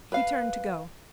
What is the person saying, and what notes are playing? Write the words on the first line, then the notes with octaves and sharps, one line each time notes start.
He turned to go.
B4 F5